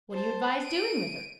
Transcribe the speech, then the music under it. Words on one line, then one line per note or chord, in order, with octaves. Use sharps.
"What do you advise doing with her?"
C5 A5
D7 D#7